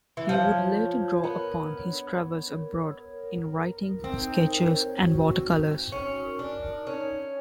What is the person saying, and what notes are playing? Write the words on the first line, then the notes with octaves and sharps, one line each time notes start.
He would later draw upon his travels abroad in writings, sketches, and watercolors.
E3
F3 C#5
C#5
C#5
B3 A#4
C#5
D4
C#5
A#4
C#5
A#4
A#4
A#4
C4 D#4
A#4
C#5
F#4
D#4
D#4
C#4 F#4
A#4
D4
D#4
C#4 C#5
D#4